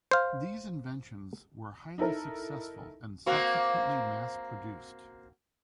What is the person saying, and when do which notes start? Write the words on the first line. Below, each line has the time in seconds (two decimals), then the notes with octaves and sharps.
These inventions were highly successful and subsequently mass produced.
0.11 C5 F5
1.98 D#4 E4 A4 A#4
3.26 A#3 C4 F#4